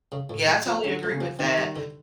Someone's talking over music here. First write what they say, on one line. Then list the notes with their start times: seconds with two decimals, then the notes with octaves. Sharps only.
Yeah, I totally agree with that.
0.12 C#3
0.30 A2
0.48 G#3
0.66 F3
0.84 D3 C#4
1.03 A3
1.12 C#3
1.21 F3
1.39 D#3 C4
1.58 G3
1.76 D3